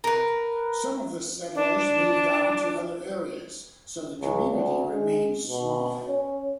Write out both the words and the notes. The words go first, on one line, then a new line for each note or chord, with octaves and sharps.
Some of the settlers moved on to other areas so the community remained small.
A#4 B4
D4
C#2
D2
G#3
B2
C#4